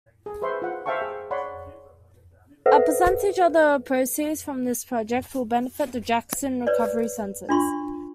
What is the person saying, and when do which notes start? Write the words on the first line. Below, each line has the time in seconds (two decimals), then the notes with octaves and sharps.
A percentage of the proceeds from this project will benefit the Jackson Recovery Centers.
0.26 G#4
0.42 G#4 B4 C5 E5 C6 C#6
0.62 F4 F#5
0.86 C5 E5 F5 G5 A5 C#6
1.02 G#4
1.31 C#5 D5 F#5 B5 C6
2.66 A4 B4 C5 E5 F#5
6.67 B4 C#5 D5
7.49 D4 F4 C6 C#6